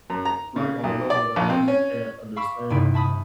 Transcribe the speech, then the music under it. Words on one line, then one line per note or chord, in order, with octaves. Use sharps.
like on a level that I just can't understand,
F#2
A#5
C#3
B1
D5
A#1
C4
C#4
F5 B5 C#6 D6 E6
G1 G2 C3 D#4 E4 D7
E5 A5 B5 D#6